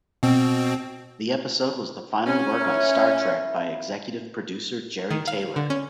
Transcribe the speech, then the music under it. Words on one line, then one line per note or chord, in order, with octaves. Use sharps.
The episode was the final work on "Star Trek" by executive producer Jeri Taylor.
B2 C4
C#4
E4 A#4 E5
D#3
F5
D3
C#4